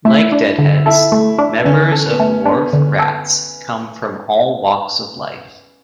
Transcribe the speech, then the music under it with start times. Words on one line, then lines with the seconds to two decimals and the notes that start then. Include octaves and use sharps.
Like Deadheads, members of Wharf Rats come from all walks of life.
0.05 A3 E4
0.32 D4
0.58 D3
0.86 E4 A4
1.12 A3
1.38 D4
1.57 B3
1.65 D3 C#4
1.92 A4
2.06 B3
2.19 A3
2.46 B3 D4
2.73 D3
2.99 A4